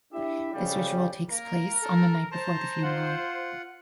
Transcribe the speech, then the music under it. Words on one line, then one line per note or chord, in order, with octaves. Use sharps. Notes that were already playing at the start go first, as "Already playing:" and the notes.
This ritual takes place on the night before the funeral.
D4 E4 G4 E5
F2 C#3 G3
A#3 A#4
A4
C5 A5 A#5
F4 F#5